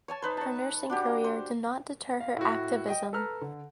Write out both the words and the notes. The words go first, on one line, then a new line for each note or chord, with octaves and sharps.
Her nursing career did not deter her activism.
C#5 G#5 A5
D#4 B4 C5
C#5 A5
D4 F#4 G4
C5
F5
A2 E4 F#4
D#5 G5
A4 B4 A#5 F6
D3